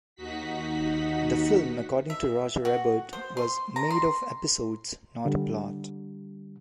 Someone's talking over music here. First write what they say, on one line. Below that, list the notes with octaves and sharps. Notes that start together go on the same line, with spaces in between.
The film according to Roger Ebert was "made of episodes, not a plot".
D#2 D#4 F#4 F#5 B6
E5
F#4
C5
C6
A#5
C6
D3 G3